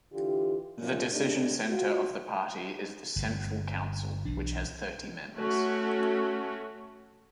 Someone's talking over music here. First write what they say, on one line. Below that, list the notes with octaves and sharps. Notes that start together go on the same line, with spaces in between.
The decision center of the party is the Central Council, which has thirty members.
D3 E3 F4 G4
F#2 A#2 D#3 F3 F4
G#3 A3 D4 D#4 G4
F4 F#4
G1 C3
B1 E3 D4
A3 C#4 F#4